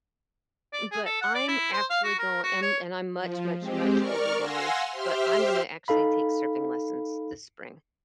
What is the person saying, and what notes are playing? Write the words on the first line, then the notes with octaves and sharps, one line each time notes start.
but I'm actually going- and and I'm much, much, much older than you- but I'm gonna actually take surfing lessons this spring.
D5
G#4
A4
F#5
D5
E4
C5
F5
F#4
A#4
F#4
C#5
F3
G#3 C4 G4
A#4 D5 C#6 F6
F5 F#5 G#5 C6 E6 A#6
G4 C5 E5 C6 F6
D#4 A4 F5 B5